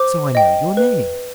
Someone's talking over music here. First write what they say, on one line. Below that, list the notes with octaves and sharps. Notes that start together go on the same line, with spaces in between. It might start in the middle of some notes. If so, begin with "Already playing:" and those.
"So I know your name."
Already playing: C5 D6
D#5 G5
B4